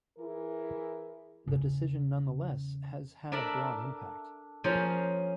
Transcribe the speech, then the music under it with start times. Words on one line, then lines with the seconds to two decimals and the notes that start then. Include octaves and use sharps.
The decision nonetheless has had a broad impact.
0.19 E3 E4 G#4 A#4
1.48 E2 C#3
3.32 D4 A4 A#4 D5 E5
4.64 F3 A#3 C#4 G#4 C5